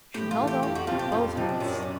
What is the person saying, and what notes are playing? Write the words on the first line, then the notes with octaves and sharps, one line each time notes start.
She held on with both hands.
A2 G4
F4
E3 A3
G4
F2 G4
F#4
C3 F3 F4
G4
F2 F4
C3 F3 D#4
D4
F#2 C#4
D4
C#4
D4